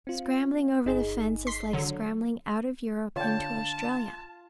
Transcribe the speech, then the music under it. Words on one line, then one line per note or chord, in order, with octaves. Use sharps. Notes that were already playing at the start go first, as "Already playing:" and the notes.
Scrambling over the fence is like scrambling out of Europe into Australia.
C4 F4
G1 D#4 G#4
C6 B6 C7
D3 F#3
D3 F4 C#5 G5 A5